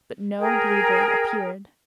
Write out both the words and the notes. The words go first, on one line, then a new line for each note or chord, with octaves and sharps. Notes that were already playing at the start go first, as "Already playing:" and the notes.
But no Blue Bird appeared.
G#4 A#4 G5